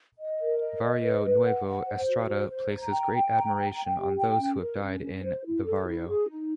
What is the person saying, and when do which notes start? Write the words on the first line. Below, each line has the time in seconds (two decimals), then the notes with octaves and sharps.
Varrio Nuevo Estrada places great admiration on those that have died in the Varrio.
0.18 D#5
0.39 A#4
0.60 D#5
0.81 D#5
1.02 B4
1.24 B4
1.44 F#5
1.66 F#5
1.86 C5
2.08 F#4
2.28 C5
2.49 C5
2.71 A#5
2.91 G5
3.13 G5
3.34 A#5
3.55 G5
3.75 G5
3.97 G4
4.18 G5
4.39 C#4
4.61 A#4
4.82 C#4
5.02 C#4
5.24 C5
5.45 E4
5.65 A4
5.87 E4
6.08 G#4
6.28 D#4